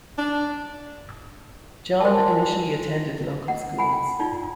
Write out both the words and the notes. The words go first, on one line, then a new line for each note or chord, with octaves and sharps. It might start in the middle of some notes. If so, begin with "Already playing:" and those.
John initially attended local schools.
D4
A#4 C5 G#5 A5 C6
D#5 F#5
F#5 G#5 B5
G5
D#4 F4 D5